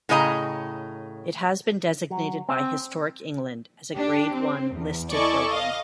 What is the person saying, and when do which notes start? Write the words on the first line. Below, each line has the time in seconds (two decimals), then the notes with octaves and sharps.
It has been designated by Historic England as a grade one listed building.
0.09 A2 C#3 G#4 D#5 G#5 A#5
2.10 F#3
2.49 C4
3.94 D4 G4
4.33 C4
4.74 E2
5.12 E4 A4 D5 D#5 G#5 C#6
5.46 D#5 F5